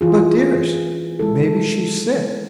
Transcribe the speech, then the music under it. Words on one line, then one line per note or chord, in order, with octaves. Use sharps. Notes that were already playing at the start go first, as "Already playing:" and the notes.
"But, dearest, maybe she's sick."
E3 F4 G#4
G#3 E4 A4